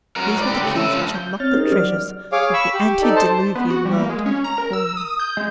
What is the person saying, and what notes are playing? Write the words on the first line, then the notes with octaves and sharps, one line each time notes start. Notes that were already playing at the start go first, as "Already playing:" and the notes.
These were the keys which unlocked the treasures of the antediluvian world for me.
F#3 A#4
G#2 D5
D3 G4
C#3 A3
C#4 E5
D2 F3
G6
C4 C#5 F6 A6
C#4 D#4 G4 G#4 A#4 C5
F#3 D5 F6
G#4 C#5 F5 D6
B5 C#6 E6
G4
D#4 A4 D5
C5 A5
B3
F#4
G3
A#3
G#3
C#4
A#5
A#4
E6
D#6
G6
G#3